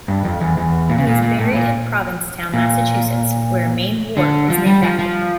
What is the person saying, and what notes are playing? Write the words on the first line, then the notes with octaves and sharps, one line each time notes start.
He is buried in Provincetown, Massachusetts, where a main wharf is named after him.
G2
F2
E2
E2
A#2
C#3
A#2
A#2
A2
A#2
A#2
D3
F3
G3
F3
F3